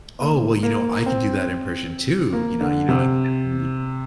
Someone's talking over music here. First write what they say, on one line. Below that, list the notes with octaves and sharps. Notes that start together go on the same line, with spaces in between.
"Oh, well, you know, I can do that impression too. You know you know, I can definitely
A#3
A#3
C4
A#3
D3
C3